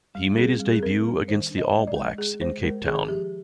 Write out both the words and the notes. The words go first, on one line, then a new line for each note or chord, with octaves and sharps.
He made his debut against the All Blacks in Cape Town.
G3
C4 G#4
G3
G#4
C4 A#4
G3
D#3 C5
D4
D#5
G#3
D#5
D5
G#3
G#3 G#4
G#3 C5
G#3 A#4
D#3 G#4
F3 G4